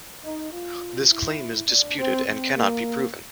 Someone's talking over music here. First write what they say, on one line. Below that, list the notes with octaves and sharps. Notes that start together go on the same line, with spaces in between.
This claim is disputed and cannot be proven.
D#4
F4
E4
D4
C4
C4
A#3